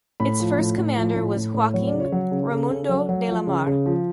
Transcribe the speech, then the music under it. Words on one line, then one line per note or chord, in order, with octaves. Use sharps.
Its first commander was Joaquim Raimundo de Lamare.
A2 B5
F3
A2
A2
F3
A2
A2
A2
F#3 C#5
D5
C#3
C#5
F#3
C#3
C#3 A4
C#3
F#3
F#3
F3
C#3
C#3
F3